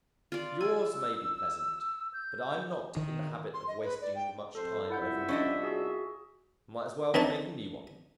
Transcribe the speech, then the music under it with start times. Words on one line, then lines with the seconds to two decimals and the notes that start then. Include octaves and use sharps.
Yours may be pleasant, but I'm not in the habit of wasting much time over mine. Might as well be making new ones ...
0.32 F4 D5
0.61 G#5 E6
2.13 G6
2.97 D#3
3.54 C6
3.68 D#5
3.83 B4
4.01 D5
4.15 G5
4.55 F2 A4 C5
4.90 C2 E4 F4 E5 F#5 G6
5.28 C#4 D4 D#5
5.63 F#4 G#4
7.14 E3 C4 D4 D#4 C#5 A5